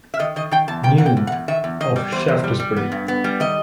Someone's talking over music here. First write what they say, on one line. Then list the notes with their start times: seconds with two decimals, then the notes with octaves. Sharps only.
New of Shaftesbury.
0.14 E5
0.19 D#3 D#5
0.36 D#3 D#5
0.51 D#3 G5
0.68 E2 A5
0.83 D#3 G5
0.98 E2 F#5
1.06 G5
1.17 E2
1.27 F#5
1.32 E2
1.48 D#3 E5
1.64 E2
1.80 D#3 D#5
1.96 G3
2.12 E2 C5
2.28 E2
2.44 G3
2.60 G3
2.76 B3
2.92 G2
3.08 B3
3.24 G3
3.40 D#3 D#5